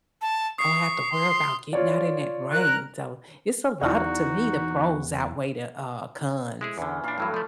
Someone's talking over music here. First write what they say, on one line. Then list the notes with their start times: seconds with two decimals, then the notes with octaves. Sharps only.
Don't have to worry 'bout getting out in that rain, so, it's a lotta to me, the pros outweigh the, uh, cons.
0.22 A5
0.58 C#6 D#6 C7
1.12 C6
1.73 F4 C#5 D5
2.52 A#4 F#6
3.82 E2 D#4 E4 F#4 D5
6.61 G#3 E4 G#4 C5
6.78 E2 D3 E3 C#4
7.04 A#2 D4 F5 A5 B5
7.18 G2 E3 F#3 A3 E4
7.34 F3 A3 D5